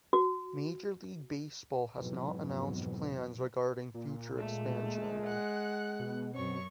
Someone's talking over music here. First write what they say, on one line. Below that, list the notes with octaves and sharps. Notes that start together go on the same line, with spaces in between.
Major League Baseball has not announced plans regarding future expansion.
F#4
F2 G#2 B2 E3 F#3
A#2
G#3 A3
F#5 F#6
B2
F#2 C4 C#5 C#6